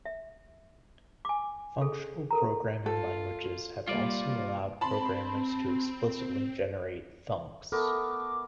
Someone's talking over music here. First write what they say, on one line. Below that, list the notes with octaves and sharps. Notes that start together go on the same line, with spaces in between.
Functional programming languages have also allowed programmers to explicitly generate thunks.
E5
G#5 D6
G#4 A4
A4 A#4 A#5
F4 A4
G3 A#3 F4 D5
C4 A5 B5 C6
A3 B3 A4 A#4 D6